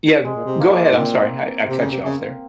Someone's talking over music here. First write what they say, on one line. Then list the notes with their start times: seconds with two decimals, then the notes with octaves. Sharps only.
yeah, go ahead. I'm sorry. I I cut you off there.
0.24 C3 G#3
0.35 A#2
0.45 C3
0.60 A#3
0.70 G#3
0.79 A#3
0.92 G#2
0.97 A#2 C4
1.68 C3
1.79 C#3
1.91 C3
2.04 C#3